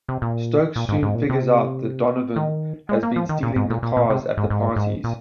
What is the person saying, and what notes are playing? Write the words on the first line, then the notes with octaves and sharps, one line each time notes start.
Stokes soon figures out that Donovan has been stealing the cars at the parties.
C3
A#2
A#2
G#2
G#2
A#2
C3
D#3
G#3
A#3
F3
D#3
A#2
G#2
A#2
A#2
A#2
C3
G#2
G#2
G#2
A#2